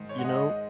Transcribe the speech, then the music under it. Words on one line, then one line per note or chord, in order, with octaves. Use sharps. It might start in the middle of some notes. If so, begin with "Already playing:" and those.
You know
Already playing: G#2 D#3 G#3
C#5
F#5
D#5